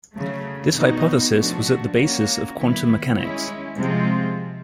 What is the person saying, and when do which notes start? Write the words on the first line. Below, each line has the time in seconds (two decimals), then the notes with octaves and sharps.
This hypothesis was at the basis of quantum mechanics.
0.15 C#3 F#3 A3
0.75 B2 G3 B3 D#4 F#4
1.35 F3 A3 D4 F#4
1.96 A#3 C#4 F#4
2.56 D#3 G3 B3 E4
3.16 G#3 C#4 E4
3.76 C3 F3 G#3 C4 F4